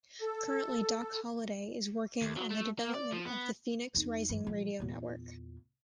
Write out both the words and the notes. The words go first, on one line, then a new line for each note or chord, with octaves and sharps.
Currently Doc Holliday is working on the development of the Phoenix Rising Radio Network.
A4
D#2
F#3
A3
A#3
D5
F3
B3
F2 D#4
G2 E3
A#2 F3
E2 A#2